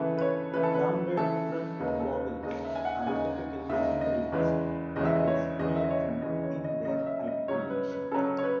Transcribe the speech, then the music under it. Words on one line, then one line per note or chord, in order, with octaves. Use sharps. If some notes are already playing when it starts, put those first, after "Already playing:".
Rounded front vowels are typically centralized, that is, near-front in their articulation.
Already playing: C#3 E3 A3 A4 B4
B4
C#5
C#3 E3 A3 B4
A4
B4
C#3 E3 A3 A4
D#2 C#3 G#3 D#4 B4
A4
B4
D#2 C#3 G#3 D#4 D#5
E5
G#5
F#5
D#2 C#3 G#3 D#4 G#5
D#2 C#3 G#3 D#4 E5
D#5
E2 C#3 E3 G#3 B4
E2 C#3 E3 G#3 D#5
E5
D#5
C#5
E2 C#3 E3 G#3 D#5
E5
D#5
C#5
E2 C#3 E3 G#3 D#5
C#5
D#5
C#3 F#3 C#4 D#5
E5
D#5
C#3 F#3 C#4 C#5
B4
B4
C#3 F#3 C#4 A4
C#5
B4